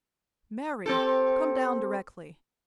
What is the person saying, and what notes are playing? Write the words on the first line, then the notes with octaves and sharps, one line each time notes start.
"Mary! come down directly."
C4 G4 A4